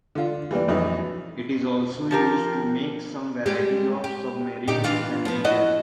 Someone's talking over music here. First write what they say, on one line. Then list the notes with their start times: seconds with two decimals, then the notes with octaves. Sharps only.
It is also used to make some varieties of submarine sandwiches.
0.15 D3 F4
0.51 E3 G3 A#3 D4
0.68 A#1 F2 E3 F#3 D#4 E5
2.11 F3 G4 A#4
3.46 G3 G#3 G4
4.04 G4
4.67 A#2 D#4 G4
4.84 E3 D4 F4
5.25 F3 B3
5.44 E4 F#4 D#5